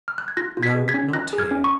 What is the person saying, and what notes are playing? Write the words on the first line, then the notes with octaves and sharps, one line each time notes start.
No; not here.
F6
F#6
G#6
F4 F#6 A#6
F4
G#6 B6
G#4
G#6 B6
C#4
F4 F#6 A#6
G#4
F6 G#6
C#4
C#6